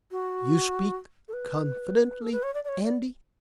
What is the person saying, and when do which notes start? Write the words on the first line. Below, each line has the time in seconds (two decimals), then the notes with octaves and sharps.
"You speak confidently, Andy?"
0.11 F#4
1.28 A4
1.33 B4
2.21 A4
2.32 B4
2.43 C#5
2.54 D5
2.64 D5
2.68 C#5
2.84 D5